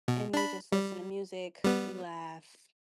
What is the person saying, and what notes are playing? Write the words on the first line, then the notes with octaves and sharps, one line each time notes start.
and we just listen to music, we laugh,
B2
D4 B5
G3
G3 B3